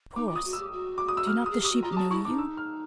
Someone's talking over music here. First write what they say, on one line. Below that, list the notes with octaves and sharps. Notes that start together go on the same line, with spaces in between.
"Of course; do not the sheep know you?"
D#4 D6
F4 D6
D#6
F#4
E6
G4
F#4
D6
D#6
E6
F6
D#6
G#4
G4 D#6
F#4
F4 A#5
G4
F#4 A5
E4 C#6
D#4 D6
E6
F6